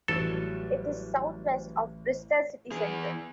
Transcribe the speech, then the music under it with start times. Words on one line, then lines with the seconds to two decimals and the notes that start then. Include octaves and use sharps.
It is southwest of Bristol city centre.
0.08 A1 F#3 G3 A4
2.72 E2 G#4